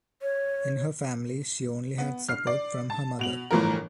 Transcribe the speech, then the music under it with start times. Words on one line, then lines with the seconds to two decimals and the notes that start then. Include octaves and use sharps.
In her family she only had support from her mother.
0.22 C#5
1.98 B3
2.29 F6 C7
2.47 D5
2.90 A5
3.19 B2 F7 F#7
3.51 G1 A2 E3 F3 A#4